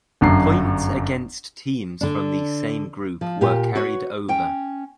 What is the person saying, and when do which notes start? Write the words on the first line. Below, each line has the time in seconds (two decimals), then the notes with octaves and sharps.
Points against teams from the same group were carried over.
0.21 G1 F#2 D4 C7
2.01 D3 D4
3.21 F3
3.41 A#2 F4 G4
3.75 F#4 B4 C#5
4.29 C#4 G5